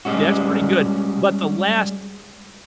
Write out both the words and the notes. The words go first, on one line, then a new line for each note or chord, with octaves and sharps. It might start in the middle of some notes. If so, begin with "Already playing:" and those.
Yeah, it's pretty good, but the last
G3 G#3 C#4 F#4